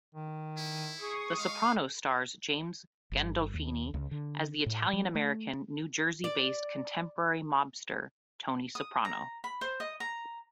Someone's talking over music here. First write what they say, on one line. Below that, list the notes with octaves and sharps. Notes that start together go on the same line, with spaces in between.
"The Sopranos" stars James Gandolfini as the Italian-American New Jersey-based contemporary mobster Tony Soprano.
D#3
E4
G#4 C#6 D#6 C7
G#3 F5
G1
D#2
C#2
D3
A2
F#3
A3
D5
D#6
A#5
B5
C5
D#5
A#5